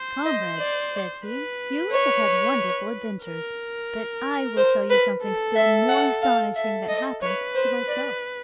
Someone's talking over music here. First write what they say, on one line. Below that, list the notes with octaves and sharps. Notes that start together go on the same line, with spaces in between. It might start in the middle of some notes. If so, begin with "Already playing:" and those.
'Comrades,' said he, 'you have had wonderful adventures; but I will tell you something still more astonishing that happened to myself.
Already playing: C5
D#5
D5
B4
C#5
A#4
C5
B4
A4
E5
F#5
F5
A4 E5
D#5
B4 C#5
C5
D5